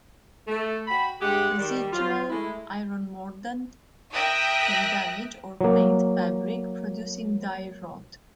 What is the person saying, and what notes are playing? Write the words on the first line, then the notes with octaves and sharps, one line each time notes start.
Residual iron mordant can damage or fade fabric, producing "dye rot".
A3
F#4 G5 B5
G2 G#3 G4 G#4 F#5
D#3 G3
F3 F#3 F4
G#3 A3 E4
A#4 E5 G5 D#6 F#6 A#6
F#3 A#3